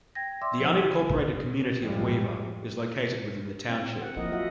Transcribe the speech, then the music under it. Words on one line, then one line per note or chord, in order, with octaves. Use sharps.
The unincorporated community of Weaver is located within the township.
G5 G#6 A#6
D5 E5 C6 D6 E6
F3 F#4 C5
G#6
G#4
F#2 A2 F3 G3 G#3
C4
C4
F#5
F3 A#3 E4 A#4 D#5
F#3 F4 F#4 D#5 E5 F#5